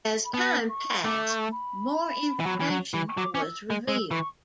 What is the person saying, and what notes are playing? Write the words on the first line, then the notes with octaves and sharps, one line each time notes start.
As time passed more information was revealed.
B5
B3 A5
C#6
A3 D6
C#6
B5
E3
F#3
E3
F#3
E3
C#6
F#3 D6
C#4 D6
E6
G#3
G#3 E6
E3 C#6